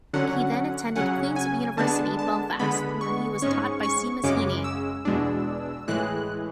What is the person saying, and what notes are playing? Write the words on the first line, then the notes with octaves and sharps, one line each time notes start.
He then attended Queen's University, Belfast, where he was taught by Seamus Heaney.
D3 F#3 C#4 F#5
C#3 F#3 C#4 F#5
G#5
D3 G#3 B3 D4 A5
A5
D3 G#3 B3 B5
C#6
G#2 G#3 C#4 C#6
C#6
F#2 C#3 G#3 C#4 D6
E6
E2 B2 G#3 D4
A2 E3 G#3 F#6